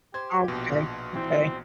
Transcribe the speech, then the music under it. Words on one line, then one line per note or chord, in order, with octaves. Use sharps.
Okay, okay.
G4 C5 G#6
A#1 B2 F4
E3 C4